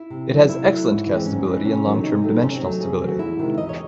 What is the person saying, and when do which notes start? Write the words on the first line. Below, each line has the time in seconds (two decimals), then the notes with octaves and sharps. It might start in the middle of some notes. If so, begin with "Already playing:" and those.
It has excellent castability and long term dimensional stability.
Already playing: E4
0.10 C3
0.29 F#3 A3
0.49 C3 E4
0.69 F#3 A3
0.87 G#2
1.07 E3 G#3
1.16 C4
1.26 G#2 C#4
1.45 E3 G#3
1.64 C3 C#4
1.84 D#3 F#3 A3
2.03 C3 D#4
2.23 D#3 F#3 A3
2.42 C3 C#4
2.55 C4
2.62 F#3 A3
2.80 C3 G#4
3.00 F#3 A3
3.08 F#4
3.19 E2 E4
3.39 C3 D#3 G#3
3.58 E2 D#5
3.69 C#5